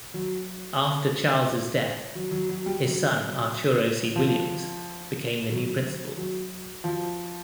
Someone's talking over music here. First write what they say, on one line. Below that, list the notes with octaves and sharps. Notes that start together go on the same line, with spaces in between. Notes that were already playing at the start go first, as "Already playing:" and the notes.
After Charles' death, his son Arturo C. Williams became the new Principal.
F#3
F#3
F#3
F#3
G3
F#3
F3
F#3
F#3
F3